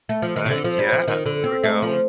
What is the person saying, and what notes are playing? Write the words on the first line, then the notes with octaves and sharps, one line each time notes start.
Right. Yeah. There we go.
A3
F3
D#3
C3
D3
F3
G3
F3
D#3
D3
C4
A3
F3